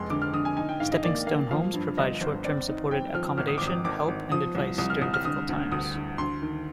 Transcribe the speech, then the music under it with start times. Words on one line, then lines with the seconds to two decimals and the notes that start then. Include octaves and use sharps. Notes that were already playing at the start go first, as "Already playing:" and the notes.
Stepping Stone Homes provide short-term supported accommodation, help and advice during difficult times.
Already playing: F1 G#3 C6
0.10 D3 D6
0.22 F6
0.33 D3 D#6
0.45 G#5
0.57 D#4 G#5
0.69 G5
0.80 G#2 F5
0.92 D#5
1.04 A#3 D5
1.27 A#3 F5
1.51 F3 F5
1.74 G2
1.97 G1 D#5
2.21 G1 C5
2.44 C4 D5
2.68 D#4
2.91 C4 G5
3.14 F3 F6
3.38 G#1 F6
3.48 D#6
3.58 G#1 D6
3.67 D#6
3.84 G#1 D6
4.08 G#1
4.31 F3 D#6
4.55 C2
4.78 C2 D#6
4.90 F6
5.01 C2 D#6
5.14 F6
5.25 D3 D#6
5.49 D2
5.72 D2 D#6
5.95 D3
6.18 D2 C6
6.42 D#3